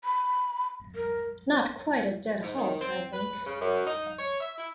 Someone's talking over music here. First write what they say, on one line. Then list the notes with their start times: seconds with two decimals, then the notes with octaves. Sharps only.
Not quite a dead halt, I think.
0.04 B5
0.96 A#4
2.43 G#2
2.58 D#3
2.81 C4
3.14 B4
3.47 C#3
3.61 F#2
3.87 D#4
4.19 C#5
4.40 E5
4.58 E4